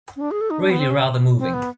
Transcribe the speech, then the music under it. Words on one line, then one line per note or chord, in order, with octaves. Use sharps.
Really rather moving.
C#4
D4
G#4
A4
D#4
D4
B3
C4
C#4
C4
B3